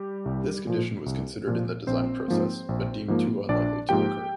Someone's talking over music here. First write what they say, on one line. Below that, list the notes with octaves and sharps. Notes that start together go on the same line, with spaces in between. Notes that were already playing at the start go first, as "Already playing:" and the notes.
This condition was considered in the design process, but deemed too unlikely to occur.
Already playing: G3 G4
C2
A#2 F3
C2
A#2 F3
A#1 C4 C5
G#2 F3 A#3
A#1
G#2 F3 A#3
A#1 D4 D5
G#2 F3 A#3 G4 G5